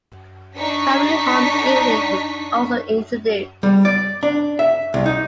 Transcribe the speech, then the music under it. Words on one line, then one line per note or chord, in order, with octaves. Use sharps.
Family Home Evening was also introduced.
D4 D#4 C#6 B6
G3
D5
D4
E5
C2
D#4